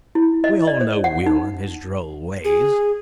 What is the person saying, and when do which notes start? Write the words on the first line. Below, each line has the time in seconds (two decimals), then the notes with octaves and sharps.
"We all know Will and his droll ways."
0.15 E4
0.44 D#5
0.67 D5
0.81 C5
1.04 F#5
1.26 D#4
2.44 G#4